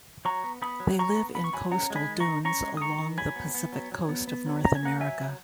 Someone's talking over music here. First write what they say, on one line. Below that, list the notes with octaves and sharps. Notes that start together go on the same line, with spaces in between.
They live in coastal dunes along the Pacific Coast of North America.
F#3 A#5 C#6
B3
B3 B5 D#6
F#3
F#3 A#5 C#6
B3
B3 B5
C#6
F#3 G#5 B5
C#4 F#5 A#5
G#3
G#5 B5
D#3
A#5 C#6
D#3
C#4 A#5 C#6
G#3
D#6
D#3 A#5 C#6
D#3
F#3 G#5 B5
B3
B3
F#3
F#3
B3
B3
F#3
C#4 A#5
G#5
A#3 F#5 A#5
F#3 E5 G#5
F#3